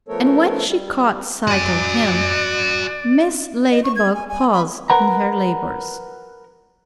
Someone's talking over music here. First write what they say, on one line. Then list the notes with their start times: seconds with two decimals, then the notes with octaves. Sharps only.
And when she caught sight of him Mrs. Ladybug paused in her labors.
0.08 F3 A3 B3 A4 A#4 C#5
0.65 G3
1.48 F#4 D5 G#5
3.71 D#5
3.84 C#6
3.96 G#6
4.14 G#5
4.29 G#5
4.52 B5
4.90 A#4 B4 F#5 A#5